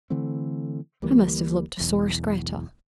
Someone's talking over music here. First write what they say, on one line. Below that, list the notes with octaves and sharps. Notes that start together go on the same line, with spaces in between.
I must have looked a sore scrattel.
D3 E3 A3 C4
D2 E3 G3 A#3
E1 B1 E2